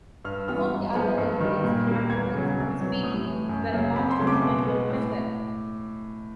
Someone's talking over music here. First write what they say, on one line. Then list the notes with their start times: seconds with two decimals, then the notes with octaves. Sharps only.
Among the other delegates in attendance and speaking were former President Bill Clinton.
0.25 G2 F6
0.48 E3 G3 B3 F6
0.71 G#2
0.95 F3 G#3 B3
1.18 G2
1.40 D#3 G3
1.64 A#2
1.87 G3 A#3
2.10 E2 G#6
2.34 C#3 F#3
2.57 C2
2.80 B2 F#3
3.03 A2 D#6
3.26 E3 A3
3.49 F#2
3.72 C#3 F#3 A#3
3.96 F2 B5
4.11 C6
4.19 C#3 F#3 A3
4.27 D6
4.42 B2
4.65 G#3 B3
4.89 A2